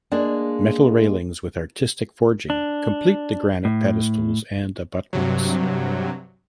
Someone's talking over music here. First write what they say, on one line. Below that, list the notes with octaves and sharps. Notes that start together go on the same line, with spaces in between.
Metal railings with artistic forging complete the granite pedestals and abutments.
G#3 A#3 D4
D4
A2
G2 C3 F#3